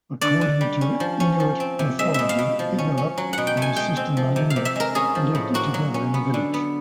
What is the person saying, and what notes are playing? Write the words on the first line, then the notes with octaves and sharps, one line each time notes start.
According to Inuit mythology, Igaluk and his sister Malina lived together in a village.
D3 D5
D3
G3
C#4
F3
C#4
F3
C4
C3
G#3 E5
B2 E5
F5
B2
F3
C#4
C#4
F#3
B2 F#5
G5
A3 G#5
G#3 G5
C4
F3
C3
F5
C3
E5
G#3 A#4
C#4 G#4
F3
A2
A#3 F#4
F#3
C#4
B3
D3
B3